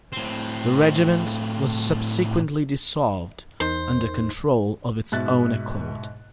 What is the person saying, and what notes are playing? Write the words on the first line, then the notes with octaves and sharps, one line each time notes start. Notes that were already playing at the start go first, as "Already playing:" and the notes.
The regiment was subsequently dissolved under control of its own accord.
A2 C4
E2 D#4 A#4 C5
G#2 B2 E5 F#6 A6